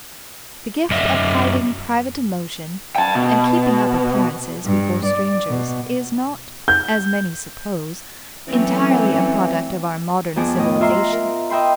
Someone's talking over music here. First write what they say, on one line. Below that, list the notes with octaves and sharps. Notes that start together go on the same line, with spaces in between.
The gift of hiding private emotion and keeping up appearances before strangers is not, as many suppose, entirely a product of our modern civilization.
F#2 D#5 E5
G5 A5
B2
G2
D5
B2
G6
E3 F#3 A3 C4 C#4
F2 F3 B3 G#4 B5 D6
A2 D#5
F4 E5 A#5 C6
A#4
D#5 E5 G5 B5 C6